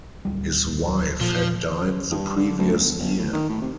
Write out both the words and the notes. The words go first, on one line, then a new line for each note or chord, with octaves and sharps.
His wife had died the previous year.
D1 G3
A#2 F3
C#3
G2
D3
D2
G1
G1
A2
D#3
A2
C3